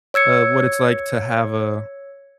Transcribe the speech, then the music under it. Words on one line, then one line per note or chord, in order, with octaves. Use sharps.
a what it's like to have a
C#5 E6 G#6 C#7